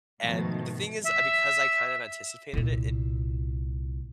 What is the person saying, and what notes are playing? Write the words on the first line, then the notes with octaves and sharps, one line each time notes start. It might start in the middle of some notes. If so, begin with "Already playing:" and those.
And the thing is, I because I kind of anticipated it, it
G#2 B2 D#3 F3 A3
E5
C2 A#2